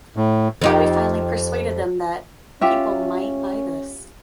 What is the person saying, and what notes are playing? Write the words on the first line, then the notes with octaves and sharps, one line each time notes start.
But we finally persuaded them that ... people might buy this.
A2
F2 D#4 G4
C#4 F4 G4 E5